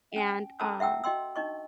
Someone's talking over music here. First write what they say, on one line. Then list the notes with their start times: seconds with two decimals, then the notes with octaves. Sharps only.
and, um,
0.16 C#4 G#5
0.60 C#4 A4 A5 A#5 E6
0.80 E5 F#5 G5 E6
1.04 F#4 D#5 G5 C6 E6
1.36 D4 D#4 D#5 C#6